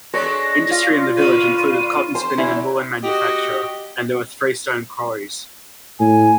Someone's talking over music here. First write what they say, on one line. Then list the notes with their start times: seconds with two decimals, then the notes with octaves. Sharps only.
Industry in the village included cotton-spinning and woollen manufacture and there were freestone quarries.
0.14 G#3 D4 A4 C#5 A#6
0.71 F4
1.17 A#2 D3 B4 D#7
2.15 C5 C6
2.38 C#3 F#3 E4 G#5
3.03 F#4 G4 D#5
5.99 A2 G#5